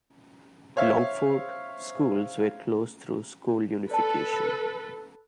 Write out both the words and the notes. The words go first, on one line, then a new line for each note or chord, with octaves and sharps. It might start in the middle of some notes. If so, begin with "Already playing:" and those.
Longford schools were closed through school unification.
C5 C#5 E5 F5
A4 B4 D5 A5